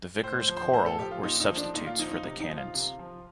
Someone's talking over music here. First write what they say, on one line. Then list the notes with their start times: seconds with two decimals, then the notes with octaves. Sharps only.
The vicars choral were substitutes for the canons.
0.23 A2 C5
0.40 C5
0.48 F3
0.57 C5
0.73 A2 C5
0.86 A4
0.99 F3 G4
1.11 F4
1.23 A#2 D#4
1.40 D#4
1.49 F3
1.57 D4
1.74 A#2 D#4
1.87 F4
1.98 F3 D#4
2.11 D#4
2.24 C3 D#4
2.40 D#4
2.49 F3
2.57 F4
2.74 C3
2.99 F3